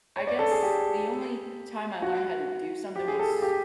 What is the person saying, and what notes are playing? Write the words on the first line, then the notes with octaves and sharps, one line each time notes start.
I guess the only time I learned how to do something was
C#5
D5
A4
G#4
G4
F#4
G4
G#4
A4
A4
G4